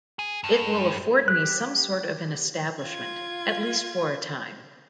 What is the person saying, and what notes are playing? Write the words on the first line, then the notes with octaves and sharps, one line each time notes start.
It will afford me some sort of an establishment, at least for a time.
G#4
G2
G4 F#6
F4 G#6